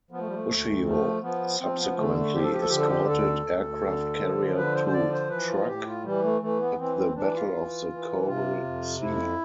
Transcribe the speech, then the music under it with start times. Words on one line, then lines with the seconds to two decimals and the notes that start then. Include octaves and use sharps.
"Ushio" subsequently escorted aircraft carrier to Truk, at the Battle of the Coral Sea.
0.11 F3 B3
0.19 A3
0.27 G3
0.33 A3
0.48 D2
0.85 F3 A3
1.22 F3 B3
1.60 F3 C4
1.78 B3
1.96 D3 A3
2.16 A3
2.33 F3 G4
2.42 A4
2.52 G4
2.61 A4
2.70 D3 G4
2.78 A4
2.87 G4
3.08 D2 A4
3.45 D2
3.82 D3
4.19 F3
4.56 D3 B4
4.74 C5
4.87 C5
4.93 F3 D5
5.12 C5
5.30 E3 B4
5.49 F4
5.67 A2 G4
5.86 F4
6.04 E3 G3
6.23 A3
6.41 E3 A3
6.60 B3
6.78 E3 C4
6.97 C4
7.15 E3 D4
7.34 F4
7.53 E3
7.90 E3
8.26 C3 F4
8.64 F2
9.01 F2 E4